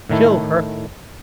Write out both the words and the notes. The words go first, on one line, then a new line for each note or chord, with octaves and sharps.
Kill her!
A2 D#3 A3 E4